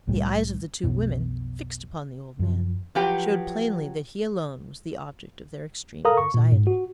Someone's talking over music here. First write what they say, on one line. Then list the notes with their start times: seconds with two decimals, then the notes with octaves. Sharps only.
The eyes of the two women, fixed upon the old man, showed plainly that he alone was the object of their extreme anxiety.
0.07 C2 A2 C3 G3
0.84 B1 F2 B2
2.39 F#2 F3
2.95 F3 F#3 G4 B4 G5
6.05 A4 A#4 F5 A#5 D#6
6.17 C#6
6.34 A#2
6.52 G#2
6.67 F#4